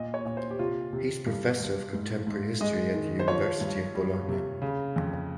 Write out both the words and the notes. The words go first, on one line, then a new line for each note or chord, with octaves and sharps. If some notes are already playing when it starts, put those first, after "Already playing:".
He is professor of contemporary history at the University of Bologna.
Already playing: A#2 D#5
C#5
A#2
C5
G4
C3 F4
C3
G2
G2
G#2
G#2
G#3 D#5
D#3
C5
F3 C#5
G2
G3
C3
C#3
F2